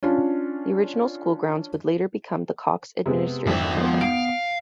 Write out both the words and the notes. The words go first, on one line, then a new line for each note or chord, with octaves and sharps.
The original school grounds would later become the Cox Administration Building.
C#4 D4 F4
C3 G#3 B3
G#1 F2 D3 E5
F3 B3
F5 D7